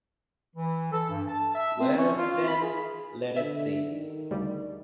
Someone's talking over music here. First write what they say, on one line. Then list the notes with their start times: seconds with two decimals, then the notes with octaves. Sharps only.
Well, then, let us see.
0.56 E3
0.92 A4
1.10 G2
1.28 A5
1.55 E5
1.80 C4
1.98 C#4
2.18 F4
2.33 F4
2.49 B5
2.62 G#4
3.36 D3 E5
3.92 D#3
4.31 D2 C#3 G3